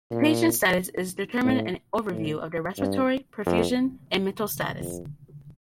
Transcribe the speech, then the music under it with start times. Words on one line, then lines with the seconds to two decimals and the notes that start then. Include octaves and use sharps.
The patient's status is determined an overview of their respiratory, perfusion, and mental status.
0.10 A#2
1.44 A2
2.12 A2
2.78 G2
3.46 F2
4.80 F2